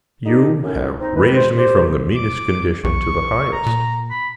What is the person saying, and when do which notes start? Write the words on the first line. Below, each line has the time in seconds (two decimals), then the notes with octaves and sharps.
You have raised me from the meanest condition to the highest.
0.25 D3 D#4 G4
0.63 F#2 A2 C#4
1.00 C4 D#4
1.16 C3 D#3 G#3 B4
1.35 C5
1.57 C2 G4 C5
2.15 D6
2.84 B1 C#6
3.52 A#5
3.66 A#2
4.10 B5